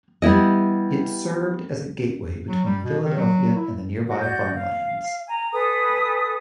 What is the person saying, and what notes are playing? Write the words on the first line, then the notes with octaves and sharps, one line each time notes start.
It served as a gateway between Philadelphia and the nearby farmlands.
G3 B3 E4 D#5
F#3
G3
B2
D#3
F#3
E4
F#4
F#4 D5 G6
F5
G#5 A#5
A4 B4 G#5 D#6